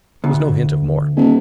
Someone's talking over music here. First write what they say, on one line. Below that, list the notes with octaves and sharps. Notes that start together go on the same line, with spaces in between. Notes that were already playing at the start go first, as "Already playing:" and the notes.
There was no hint of more.
D2
D#1